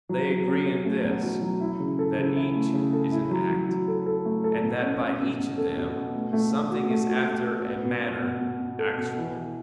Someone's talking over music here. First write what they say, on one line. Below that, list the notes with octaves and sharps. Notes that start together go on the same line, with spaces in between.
They agree in this, that each is an act; and that by each of them something is after a manner actual.
F#3
F#3
C#4
C#4
A3
B2
F#3
F#3
E4
C#3
A4
C#3
E4
A3
C#3
A4
E4
F#3
F#3
F#3
A4
A4
A3
A4
B2
C#4
C#4
B2
B2
A4
B2
B2
A3
A3
A3
F#4
A3
F#4
A3
F#4
B3
B2
B2
B2
B2
B2
A4
B2
E3
E3